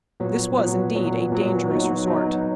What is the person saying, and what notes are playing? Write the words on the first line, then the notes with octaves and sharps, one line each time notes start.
This was, indeed, a dangerous resort.
A#2 F#3 B3
A#2 F#3 B3
A#2 F#3 B3
A#2 F#3 B3
F#3 B3 D#4 F#4
F#3 B3 D#4 F#4